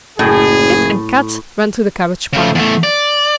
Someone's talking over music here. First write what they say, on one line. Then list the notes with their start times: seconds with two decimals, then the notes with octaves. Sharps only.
Kit and Kat ran to the cabbage-pile.
0.19 F#1 A2 G#4
2.33 C#3 A3
2.55 E2 A3
2.84 D5